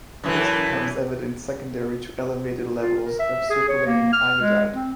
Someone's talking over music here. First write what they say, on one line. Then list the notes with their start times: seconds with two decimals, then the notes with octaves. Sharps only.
This becomes evident secondary to elevated levels of circulating iodide.
0.24 F#2 E3 A3
2.80 F4
3.03 A#4
3.19 E5
3.50 G#4
3.69 C#5
3.86 A#3
4.13 F6
4.41 G#3
4.74 C4